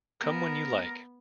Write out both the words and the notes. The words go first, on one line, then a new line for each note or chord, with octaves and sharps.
Come when you like.
B3 A#4